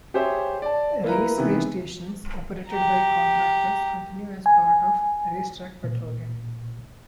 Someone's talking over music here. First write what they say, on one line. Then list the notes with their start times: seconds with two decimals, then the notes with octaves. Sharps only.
RaceWay stations, operated by contractors, continue as a part of RaceTrac Petroleum.
0.14 G4 G#4 C5 C#5 E5
0.62 D5 A5
1.04 A#3 E4 B4 A#5
1.38 C3 D#3 E3 B3
2.69 G4 A#5
4.46 G#5
5.84 A#2